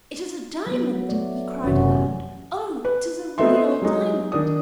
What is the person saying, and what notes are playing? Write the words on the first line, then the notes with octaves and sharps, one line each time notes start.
"It is a diamond!" he cried aloud; "oh, it is a real diamond!"
F#3 B3
A3 D5
F#1 E2 C3 C#4 F#4
B4
A3 B3 C4 D#4 E5 C6
F#3 G#3 D#4
D#3 D4 D#6